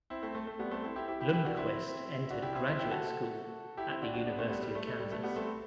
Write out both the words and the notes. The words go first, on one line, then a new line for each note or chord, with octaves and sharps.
Lundquist entered graduate school at the University of Kansas.
C4 E4
A3 C4
A3
A3
G3 B3
A3 C4
C4 E4
E4 G4
E4 G4
E4 G4
E4 G4
D4 F#4
C4 E4
D4 F#4
E4 G4
C4 E4
C4 E4
E4 G4
F#4 A4
E4 G4
C4 E4
D4 F#4
D4 F#4
B3 D4
A3 C4
G3 B3
G3
A3
A3
G3
A3
G3 B3
A3 C4